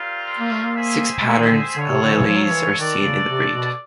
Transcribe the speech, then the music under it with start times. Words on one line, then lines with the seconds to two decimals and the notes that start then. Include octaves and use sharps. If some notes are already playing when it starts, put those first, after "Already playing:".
Six patterns alleles are seen in the breed.
Already playing: G3 C4 F4 A#4
0.38 A#3
0.51 A3
0.64 A#3
0.75 C4 E4 G#4 C5 E5
1.21 G#3
1.25 A3
1.38 D#3
1.51 D3
1.76 D3 F4 A4 C#5
1.89 C3
2.02 D3
2.14 E3
2.27 F3
2.35 F#3
2.43 F3
2.52 E3
2.77 D#3 F#4 A4 D5
3.01 C#3
3.28 C3
3.52 B2